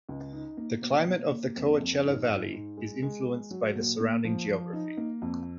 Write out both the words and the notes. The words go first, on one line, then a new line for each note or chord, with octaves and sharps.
The climate of the Coachella Valley is influenced by the surrounding geography.
C#2
D#4
A#3
B2
A#3
A#3
F2
F2
G#2
G#2
G#2
G#3
G#3
G#3
F#3
A#2
A#3
F3
F3
D#4
A#3
F2